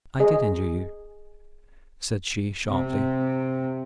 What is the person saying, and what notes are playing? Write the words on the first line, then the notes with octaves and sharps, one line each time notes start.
"I did injure you," said she, sharply.
G#4 D#5
C3